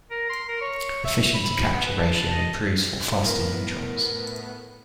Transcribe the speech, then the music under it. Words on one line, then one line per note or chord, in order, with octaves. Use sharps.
The fission-to-capture ratio improves for faster neutrons.
A#4
C6
A#4
C#5
E5
B5
B3
B4
A5
D#5
A2 B3 E4 A#4